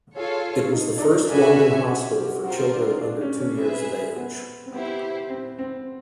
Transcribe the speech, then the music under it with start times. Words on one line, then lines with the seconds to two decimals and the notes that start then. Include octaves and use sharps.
It was the first London hospital for children under two years of age.
0.16 F4 G#4 A4 C#5 F5
0.45 G#4
0.73 D#4
0.98 D4
1.02 D#4
1.30 D4 F#4 B4 E5 G#5
1.50 C#4
1.68 C4
1.87 F#4
2.07 G4
2.26 F#4
2.44 C4 F4 F#4 A#4
2.73 D4
3.02 D4
3.21 C#4
3.39 C#4
3.58 C4 G#4 B4 E5
4.16 B3
4.66 C4
4.72 B3 E4 G4 C5
5.30 C4
5.59 C4